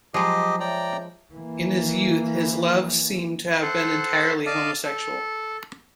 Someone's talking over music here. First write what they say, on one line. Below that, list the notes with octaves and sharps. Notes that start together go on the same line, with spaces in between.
In his youth his loves seem to have been entirely homosexual.
F3 F#3 G#3 G4 D#5 A#5
C#5 D5 E5 G5 A#5
E3 A#3
A4 C5 F#5
D5 D#5 F5 A5
A4